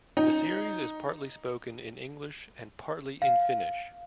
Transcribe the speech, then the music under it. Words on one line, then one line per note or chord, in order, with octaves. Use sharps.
The series is partly spoken in English and partly in Finnish.
D#4
F5